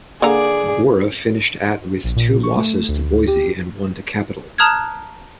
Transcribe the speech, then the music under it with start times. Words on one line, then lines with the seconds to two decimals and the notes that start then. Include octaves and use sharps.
Borah finished at with two losses to Boise and one to Capital.
0.22 D3 A#3 G#4 D5 A#5
2.04 A#1
2.16 A#2
2.43 C#6
2.56 A3
2.88 D2
3.27 G4
4.58 A5 A#5 D#6 F6 F#6 G#6